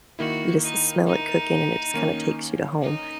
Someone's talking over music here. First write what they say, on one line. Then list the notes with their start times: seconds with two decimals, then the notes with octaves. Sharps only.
you just smell it cooking and it just kinda takes you to home.
0.19 D#3 A#3 E4 F#4
0.63 D#4
1.06 D#4
1.94 D#3 A#3 C#4
2.81 D#4